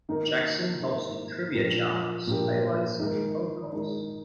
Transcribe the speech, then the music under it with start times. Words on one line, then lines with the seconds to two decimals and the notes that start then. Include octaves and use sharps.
Jackson helps with trivia challenges, highlights and phone calls.
0.09 D#3 A#3 D#4 A#4
0.81 D#3 A#3 D#4 A#4
1.54 A#2 F3 A#3 D4 G4
2.27 A#2 F3 A#3 D4 G4
2.99 D#3 G#3 D#4
3.72 D#3 G#3 D#4